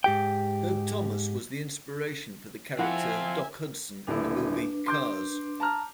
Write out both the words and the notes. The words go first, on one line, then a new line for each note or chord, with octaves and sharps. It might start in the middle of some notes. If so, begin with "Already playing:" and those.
Herb Thomas was the inspiration for the character "Doc Hudson" in the movie "Cars".
G#2 G4 G5
F3 C4 E4 F4 E5 F#5 G#5 B5
D#1 D3 D4 E4 B4
C6 D6 G6
A5 A#5 F6